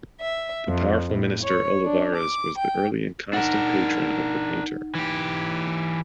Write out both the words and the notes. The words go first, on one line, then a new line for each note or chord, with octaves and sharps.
The powerful minister Olivares was the early and constant patron of the painter.
E5
F2
A2
C#5
D4
D6
G5
D4 D#4 A#4 F#5
E3 G4